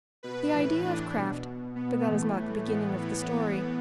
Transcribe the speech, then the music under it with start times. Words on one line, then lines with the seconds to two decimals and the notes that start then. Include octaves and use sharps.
The idea of Kraft--but that is not the beginning of the story.
0.23 B2 B4
0.54 A2 E3
0.84 A2 E3 D4
1.15 B2
1.45 B2
1.75 B2 B3
2.06 A2 E3 A3
2.37 A2 E3
2.67 A2 E3 B3
2.97 A2 E3 B3
3.28 A2 E3 B3